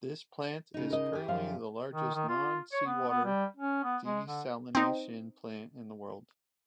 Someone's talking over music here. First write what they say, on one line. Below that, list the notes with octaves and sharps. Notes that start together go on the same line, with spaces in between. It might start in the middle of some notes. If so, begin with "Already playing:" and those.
This plant is currently the largest non-seawater desalination plant in the world.
C#3 D#4
A#4 D#5
G4 G#4
F#2 F3 F5
D#3
D#3
F4
C#5
B3
B3
G3
C#4
B3
G#3
D3
C4 D#4